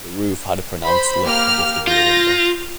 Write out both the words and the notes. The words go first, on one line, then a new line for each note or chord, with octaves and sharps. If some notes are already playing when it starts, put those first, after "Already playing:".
The roof had a pronounced lip above the rear window.
C5 B5
A#3 G4 F6
F4 G6 A#6